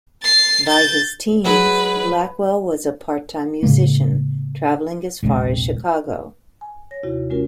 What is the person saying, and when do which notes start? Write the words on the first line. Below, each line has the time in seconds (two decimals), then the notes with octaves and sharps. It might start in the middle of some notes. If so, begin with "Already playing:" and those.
By his teens, Blackwell was a part-time musician, traveling as far as Chicago.
0.22 A6 C7
0.68 G6 A6
1.45 F#3 G#3 B4
3.63 A2 C#3 G#3 A#3
5.23 E1 A#1 C3 G#3
6.61 G#5
6.91 C#5 A#6
7.03 D#2 C3 E4 F#4
7.30 G#3 C#4 F4 F#4 A#4